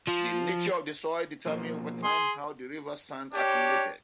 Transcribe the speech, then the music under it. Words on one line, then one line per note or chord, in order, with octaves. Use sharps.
The nature of the soil determined over time how the river's sand accumulated.
F3
B2 F3 A#3
G#4 C6
D4 G4 C#5